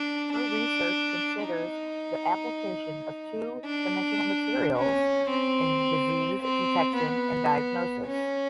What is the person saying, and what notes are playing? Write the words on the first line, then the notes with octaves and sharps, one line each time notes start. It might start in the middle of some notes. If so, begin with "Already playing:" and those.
Her research considers the application of two dimensional materials in disease detection and diagnosis.
Already playing: D4
D4
D#4
D4
C#4
C4
C4
B3
C#4